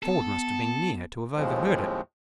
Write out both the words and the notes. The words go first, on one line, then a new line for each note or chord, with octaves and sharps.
Ford must have been near to have overheard it.
B3 A4
D#2 A2 F3 G#3 C4